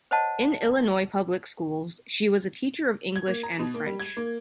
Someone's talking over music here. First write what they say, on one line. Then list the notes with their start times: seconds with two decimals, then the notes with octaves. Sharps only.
In Illinois public schools, she was a teacher of English and French.
0.11 C5 C#5 D#5 F#5 A5
3.16 G#6
3.28 A#3
3.43 A#5
3.59 B2
3.74 A#3
3.86 G3
4.00 G#6
4.17 A#3